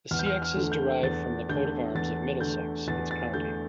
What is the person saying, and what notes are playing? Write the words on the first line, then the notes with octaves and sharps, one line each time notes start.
The seaxes derive from the coat of arms of Middlesex, its county.
E2 F6
G6
F6
F6
D3 A3
G6
E2 A6
D3 A3 G6
E2 A6
D3 A3 G6
E2 A6
A6
D3 A3 G6